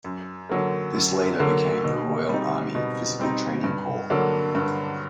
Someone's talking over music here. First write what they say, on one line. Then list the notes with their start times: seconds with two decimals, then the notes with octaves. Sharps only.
This later become the Royal Army Physical Training Corps.
0.04 F#2
0.49 D3 F#3 A#3
0.94 F#2
1.39 D3 F#3 A#3
1.84 B2
2.29 G3 C4 D#4
2.75 B2
3.20 G3 C4 D#4
3.64 G2
4.10 D3 F#3 A#3 D4
4.55 G2